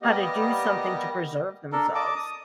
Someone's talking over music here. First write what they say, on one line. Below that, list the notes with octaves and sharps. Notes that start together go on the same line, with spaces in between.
how to do something to preserve themselves.
G3 A#3 B3 G4 D#5
D4 A4 A#4
D5 D#5 A5 D6
D#6